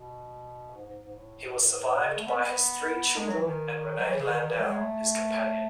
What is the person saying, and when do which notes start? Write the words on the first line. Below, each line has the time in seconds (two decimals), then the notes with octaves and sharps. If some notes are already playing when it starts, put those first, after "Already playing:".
He was survived by his three children and Renee Landau, his companion.
Already playing: B2
0.75 G#2
0.85 G#2
1.05 G#2
1.15 A2
1.96 B2
2.06 C#3
2.19 A3
2.27 B3
2.37 B3
3.18 G#3
3.28 F#3
3.38 E3
3.48 D#3
3.99 F#3
4.09 E3
4.19 C#3
4.29 D#3
4.40 D#3
4.49 E3
4.60 G#3
4.70 G#3
4.80 A3